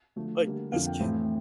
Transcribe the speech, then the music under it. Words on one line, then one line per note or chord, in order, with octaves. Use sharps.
Like, this kid
D3 F3 A3
D3 G3 A#3
F2 D3 F3 A#3 F5
G5
A2 E3 A3 C4